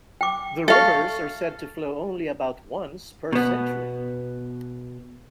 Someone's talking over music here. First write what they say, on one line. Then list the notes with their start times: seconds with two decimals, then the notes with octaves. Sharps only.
The rivers are said to flow only about once per century.
0.21 G5 D6
0.68 A4 E5 F5 C#6
3.33 B2 B3